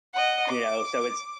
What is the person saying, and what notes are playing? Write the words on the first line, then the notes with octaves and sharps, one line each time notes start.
you know, so it's
D#5 F#5
D6